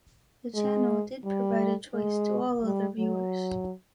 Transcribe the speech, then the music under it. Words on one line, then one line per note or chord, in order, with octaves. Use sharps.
The channel did provide a choice to all other viewers.
G#3
G3
G#3
G3
F#3